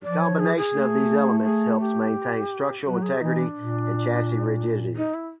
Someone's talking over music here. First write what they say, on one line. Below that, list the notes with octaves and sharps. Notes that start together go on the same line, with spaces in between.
The combination of these elements helps maintain structural integrity and chassis rigidity.
F3 D5
C#5
G#4
G#4
A3
G#4
G4
F#3 F#4
G#4
E3 D#4
D4
A#2
D#4
E4